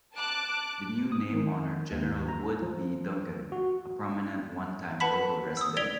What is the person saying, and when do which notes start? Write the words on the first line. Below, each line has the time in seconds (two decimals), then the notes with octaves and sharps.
The new name honored General Wood B. Duncan, a prominent onetime local resident.
0.14 A5 D6 F#6
1.12 D#6
1.33 D#3
1.91 D#2
2.28 A#5
2.62 F3
3.52 F#4
5.00 B4 F#5 A5 B5 B6
5.57 D#6 E6
5.77 D5 G#6 B6 D7 F7 G7